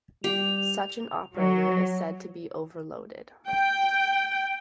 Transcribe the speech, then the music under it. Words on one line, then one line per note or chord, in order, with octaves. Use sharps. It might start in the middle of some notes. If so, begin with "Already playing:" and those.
Such an operator is said to be "overloaded".
G3 G4 F7
F#3
G5